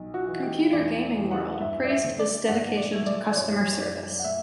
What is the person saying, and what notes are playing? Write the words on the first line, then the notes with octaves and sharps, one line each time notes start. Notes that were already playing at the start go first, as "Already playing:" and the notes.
"Computer Gaming World" praised this dedication to customer service.
Already playing: B1
F#4
E3
G4
E2 D5
E2
F#5
G2 E5
D5
E5
D3
D5
G2 F#5
D5
A3
D5
D5
F#2 C#5
C#5
F#2 D5
F#5
A3 E5